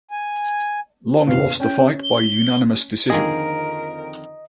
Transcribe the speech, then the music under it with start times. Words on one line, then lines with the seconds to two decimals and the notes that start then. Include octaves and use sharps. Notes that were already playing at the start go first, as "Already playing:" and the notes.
Long lost the fight by unanimous decision.
0.11 G#5
1.27 F#1 E2 B2 F5
1.60 C#4 G5
2.04 G7
3.10 F2 D3 D#3 A#3 C4 G#4 A#4 D#5